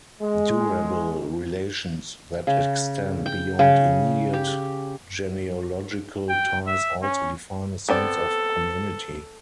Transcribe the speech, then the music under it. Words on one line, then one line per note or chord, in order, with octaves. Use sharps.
Durable relations that extend beyond immediate genealogical ties also define a sense of community.
G#3
C#3
G5
C#3
G4
G5
E5
C#4
B3 C4 A4 D5